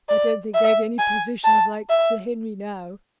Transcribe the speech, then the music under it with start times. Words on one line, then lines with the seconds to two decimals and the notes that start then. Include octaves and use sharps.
I don't think they've any physicians like Sir Henry now.
0.09 D5
0.54 E5
0.99 G#5
1.44 A5
1.89 E5